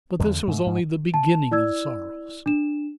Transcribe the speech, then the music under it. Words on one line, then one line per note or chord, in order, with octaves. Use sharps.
But this was only the beginning of sorrows.
E2 D3
G#2 A3
G#2
A5
E4 D5 E6 G#6
D4 E7